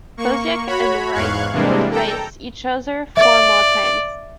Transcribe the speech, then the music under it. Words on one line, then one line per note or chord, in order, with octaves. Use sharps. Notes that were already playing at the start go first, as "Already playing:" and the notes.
Koziak and Wright would face each other four more times.
A#3 C#6
F#4 C#5 B5
E2 G#2 F5 C#6 F#6 G#6
C3 E3 G3 G#3 A#3 D4
A4 G5 A#5
D5 E5